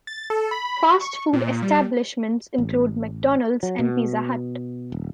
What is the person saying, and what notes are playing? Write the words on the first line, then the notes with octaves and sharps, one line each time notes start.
Fast food establishments include McDonald's and Pizza Hut.
A6
A4
B5
C#6
A#2
G3
A1
F#3
B2
D#1